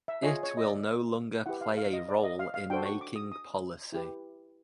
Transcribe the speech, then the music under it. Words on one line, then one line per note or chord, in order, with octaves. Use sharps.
It will no longer play a role in making policy.
E5
F4 G#4 C#5 D#5
C#5
D#5
D5
E4 G4 B4 F#5
F5
F5
D#5
D5
D#5
F5
F5
D4 F#4 A4 C5 G5
C#6
D6
D#6
D#6
E4 G4 B4